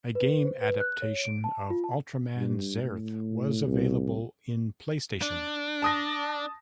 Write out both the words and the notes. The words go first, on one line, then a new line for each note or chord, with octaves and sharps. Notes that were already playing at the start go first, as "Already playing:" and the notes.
A game adaption of Ultraman Zearth was available in PlayStation.
B4
C5
B4
F#6
C#5
D7
A5
F4
A5
G2
A2
C2
D4
A5 D#6 A#6